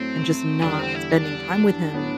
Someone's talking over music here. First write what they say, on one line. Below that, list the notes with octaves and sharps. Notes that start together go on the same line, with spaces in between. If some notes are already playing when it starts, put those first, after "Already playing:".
and just not spending time with him,
Already playing: A2 F#3 A3 C4
E2 D3 G3 D4
C4
E4
D4
A2 F#3 B3